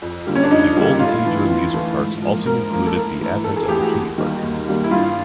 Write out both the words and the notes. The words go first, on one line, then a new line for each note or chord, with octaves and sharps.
The Golden Age of amusement parks also included the advent of the kiddie park.
F2
D3 G3 A#3
C#4
D4
F2 D#4
D3 G3 A#3
A2 F4
E3 A3
A2
E3 A3
G#2
F3 A#3
G#2 A#4
F3 A#3
A4
A2 A#4
E3 A3
A2 A4
G#4
E3 A3 G4
F#4
D#2
D#3 G3 A#3
D#2
D#3 G3 A#3
E4
G2 F4